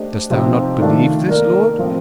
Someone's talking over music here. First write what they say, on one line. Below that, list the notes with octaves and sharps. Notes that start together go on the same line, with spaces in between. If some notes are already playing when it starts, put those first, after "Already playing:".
"Dost thou not believe this, lord?"
Already playing: A3 D4 G4 C5 D#5
C3 F3 C4 D#4 G4
D#3 A3 D4 F4 A4
A#3 D#4 A#4 D5
A2 F3 C4